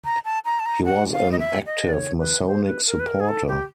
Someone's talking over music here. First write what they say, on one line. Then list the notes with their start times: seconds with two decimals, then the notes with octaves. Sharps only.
He was an active Masonic supporter.
0.05 A#5
0.25 A5
0.45 A#5
0.60 A5
0.66 A#5
0.85 F#5
1.13 F5
1.32 D#5
1.39 E5
1.66 D#5
1.88 D5
1.93 C#5
2.20 B4
2.47 C5
2.67 B4
2.87 A#4
3.00 B4
3.07 A#4
3.20 G#4
3.28 A4
3.48 G4